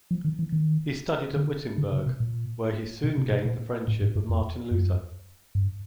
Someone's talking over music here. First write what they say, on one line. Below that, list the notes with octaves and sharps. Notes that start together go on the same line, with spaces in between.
He studied at Wittenberg, where he soon gained the friendship of Martin Luther.
F3
D#3
E3
D#3
D3
D3
C#3
B2
A#2
B2
C3
B2
A#2
A2
G#2
G2
F2
F#2
G2